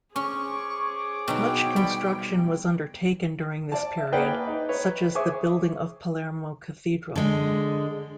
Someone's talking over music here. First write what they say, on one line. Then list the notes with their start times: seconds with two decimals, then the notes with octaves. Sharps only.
Much construction was undertaken during this period, such as the building of Palermo Cathedral.
0.16 C#4 G#4 C5 C#5 C#6 D6
1.28 B2 F#3 D#4 G5
1.76 G3 B5
3.72 D5 A5
3.98 E5
4.12 A#3 G#4 B4 D5 F#5 G5
4.47 D#4
4.69 B4 C#5
5.15 G#4 C5 E5 G#5 C#6 D6
7.16 D3 G#3